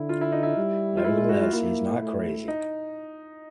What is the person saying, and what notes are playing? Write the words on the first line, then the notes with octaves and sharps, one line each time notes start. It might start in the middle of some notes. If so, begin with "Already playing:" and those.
Nevertheless, he is not crazy.
Already playing: D3 E4
F4
E4
D#4
E4
G3
F4
G#3 E4
F4
F#4
F4
A#3 E4
A3
D#4